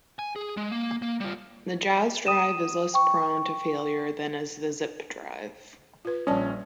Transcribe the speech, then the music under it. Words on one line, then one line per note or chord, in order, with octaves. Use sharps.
The Jaz drive is less prone to failure than is the Zip drive.
G#5
G#4
G#3
A#3
A#3
G3 F4
D#6 D#7 E7
G5 C#6
F4 B4
A#1 G3 C#4 D5 A5